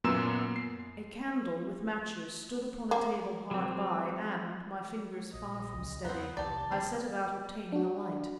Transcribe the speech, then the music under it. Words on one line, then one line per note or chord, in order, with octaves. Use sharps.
A candle, with matches, stood upon a table hard by, and, my fingers far from steady, I set about obtaining a light.
F#2 A#2 A#3 B3 E6 E7
C7
A#3
F#3 G#3 C4
A#1 D#5
C#2
E2 G3 B3 C4
C2 E3 G4 D5 A5
D3 A#3 C4 G#4
D4 F#4